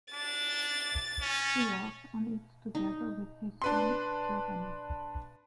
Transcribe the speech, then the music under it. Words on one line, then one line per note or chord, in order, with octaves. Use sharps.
He worked on it together with his son Giovanni.
D4 A6
C#4
D#4
D4 B4 C6